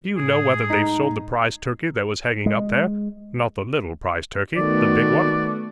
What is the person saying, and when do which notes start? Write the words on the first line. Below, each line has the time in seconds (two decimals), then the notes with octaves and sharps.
Do you know whether they've sold the prize turkey that was hanging up there?--Not the little prize turkey: the big one?'
0.16 A2 G#3 G#4
0.70 D#4 A#5
2.46 G#3
4.57 D#3 A3 B3 F#4 D5